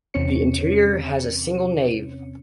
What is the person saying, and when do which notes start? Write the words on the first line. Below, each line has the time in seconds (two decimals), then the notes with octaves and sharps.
The interior has a single nave.
0.14 E2 C3 C4 C#4 C#5 C#7